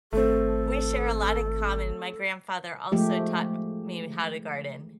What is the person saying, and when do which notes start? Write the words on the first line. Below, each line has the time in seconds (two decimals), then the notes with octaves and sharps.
We share a lot in common, my grandfather also taught me how to garden
0.13 G#1 A3 C4 A4
2.92 F3 G#3 A3 G4